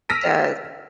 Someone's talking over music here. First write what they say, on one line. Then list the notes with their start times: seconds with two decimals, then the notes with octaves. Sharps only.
It does.
0.09 E6 F6 A#6 B6 D7 D#7